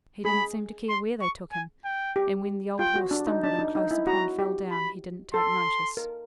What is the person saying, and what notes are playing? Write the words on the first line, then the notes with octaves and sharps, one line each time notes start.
He didn't seem to care where they took him; and when the old horse stumbled and close upon fell down he didn't take notice.
G#4 B5
C6
C#6
G#5
G5
G4
F4 G5
F#4
D4
D#4
D4 A5
D#4
D#4
E4
F#4 A#5
G4
B5
A4 C6
A#4